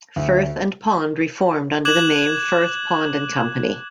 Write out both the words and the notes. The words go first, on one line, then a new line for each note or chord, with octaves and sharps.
Firth and Pond reformed under the name Firth, Pond and Company.
D2
D6 F#6 G#6 E7 F#7